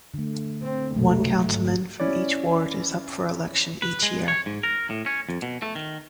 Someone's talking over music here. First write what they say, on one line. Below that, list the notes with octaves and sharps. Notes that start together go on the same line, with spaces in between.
One councilman from each ward is up for election each year.
D3 A3
C4
F1 B1 F#3 G#3 A3
G#1
C#4 E4 C#5 D5
B4
G#3
C#5
G#2
A#4
A2
C#4
F2
B2
A3
D#3